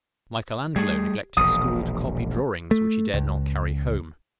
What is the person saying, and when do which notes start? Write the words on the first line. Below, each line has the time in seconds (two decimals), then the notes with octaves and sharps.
Michael Angelo neglected school to copy drawings which he dared not carry home.
0.76 G3 A3 G#4
1.37 E1 A#1 D#6
2.71 A3
3.14 C#2